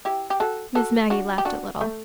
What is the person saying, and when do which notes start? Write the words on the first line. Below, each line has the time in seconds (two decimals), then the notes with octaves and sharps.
Miss Maggie laughed a little.
0.05 E4 G4
0.30 G4
0.40 F#4 A4
0.75 F#4 A4
1.10 D4 F#4
1.38 G4
1.45 D4 F#4
1.81 A3